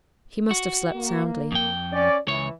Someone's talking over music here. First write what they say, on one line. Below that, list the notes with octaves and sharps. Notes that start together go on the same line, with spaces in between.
He must have slept soundly.
F#4
A#3
F2 G5
C#4 D5
C#2 E3 C#5